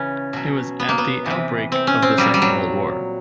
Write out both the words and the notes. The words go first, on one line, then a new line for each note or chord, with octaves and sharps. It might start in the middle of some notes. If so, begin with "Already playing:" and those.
It was at the outbreak of the Second World War.
Already playing: C#3 E3 C#4
B2 F#3
B3
A#3
B3
C3 E3
C4
C#4
C4
A#2 F#3 G3
G3
F#3